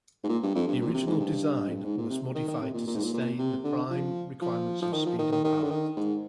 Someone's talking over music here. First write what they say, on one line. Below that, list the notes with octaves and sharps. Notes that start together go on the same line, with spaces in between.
The original design was modified to sustain the prime requirements of speed and firepower.
G#2
A#2
G2
F2
G2
A#2
C3
G#2
G2
F2
G2
G#2
A#2
C3
D#3
D#3
C3
A#2
A#2
G#2
A#2
A#2
C3
D3
F3
F3
F3
D#3
F3
D#3
D#3
D#3
D3
D#3
G#2